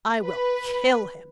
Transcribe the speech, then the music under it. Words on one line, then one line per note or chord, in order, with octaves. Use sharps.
I will kill him!'
B4